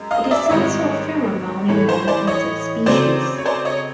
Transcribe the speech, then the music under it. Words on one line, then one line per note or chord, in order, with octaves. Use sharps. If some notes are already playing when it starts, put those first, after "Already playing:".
It is also a pheromone in many insect species.
Already playing: F#2 G#3
D#5 F5
D#5
D5 E5
E5
G#2 D#3 G3 C4 C#5 D#5
A2 E3 A3 C#5
C5
C5 D5
C#5 D#5
C#3 F#3 A3 C4 C5 D5
C#5
C5 D5
C#5 D#5